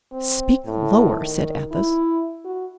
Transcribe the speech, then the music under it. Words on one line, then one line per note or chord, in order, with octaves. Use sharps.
"Speak lower!" said Athos.
C4
A2
D#3
E4
F#4